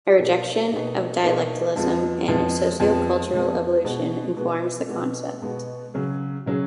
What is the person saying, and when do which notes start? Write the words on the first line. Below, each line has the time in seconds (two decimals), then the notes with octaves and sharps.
A rejection of dialectism and sociocultural evolution informs the concept.
0.19 B2 A#3 D#4 G#4
0.71 B2 A#3 D#4 G#4
1.23 B2 A#3 D#4 G#4
1.76 F2 F3 G#3 B3
2.28 F2 F3 G#3 B3
2.80 F2 F3 G#3 B3
3.33 F2 F3 G#3 B3
3.85 B2 G#3 B3 F#4
4.37 B2 G#3 B3 F#4
4.89 B2 G#3 B3 F#4
5.42 B2 G#3 B3 F#4
5.94 C#3 F#3 C#4 G#4
6.46 C#3 F#3 C#4 G#4